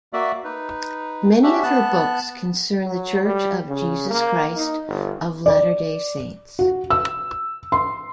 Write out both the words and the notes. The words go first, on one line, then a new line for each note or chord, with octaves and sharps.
Many of her books concern The Church of Jesus Christ of Latter-day Saints.
A#3 F#4 D5 E5
D#4 B4
C#4 D4 F#4 G4 E5
B3 A5 F#6
F#3
G3
C#3
A#3
D#4
G1
D5
F#4
E6
C6